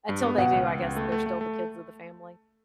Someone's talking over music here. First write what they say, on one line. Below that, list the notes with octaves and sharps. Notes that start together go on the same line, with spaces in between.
until they do, I guess they're still the kids of the family.
G2
B3
B2 F#5
C#2
C#2
C#2
A3
A3
A3
A3